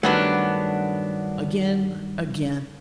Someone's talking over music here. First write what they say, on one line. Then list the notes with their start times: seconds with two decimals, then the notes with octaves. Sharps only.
Again! again!
0.03 G2 D#3 F#3 A3 B3 D4